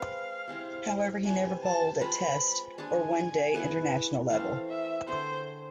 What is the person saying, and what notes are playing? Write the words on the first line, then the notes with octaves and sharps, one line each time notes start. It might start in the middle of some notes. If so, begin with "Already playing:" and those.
However he never bowled at Test or One Day International level.
Already playing: G#3 C4 B4 F5
C3 G#3 C4 E4
C3 F3 B3 G#5
A5
G#3 C4 F4 B4 B5
G#3 D4 G#4 G#5
B3 E4 G#4 B4
E3 A3 C4 F5
E5
D3 A3 C4 G#4 C5